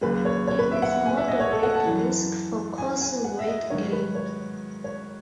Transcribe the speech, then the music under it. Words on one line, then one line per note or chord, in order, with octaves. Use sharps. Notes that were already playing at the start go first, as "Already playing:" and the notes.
It is moderate risk for causing weight gain.
D#2 C#3 F#3 B4
C#5
C#5
B4
E5
F#5
G#5
E5
D#5
C#5
A4
F#5
A5
F#2 E3
G#5
G#5
F#5
E5
D#5
G#2 D#3 F#3 C#5
B4
C#5
C#5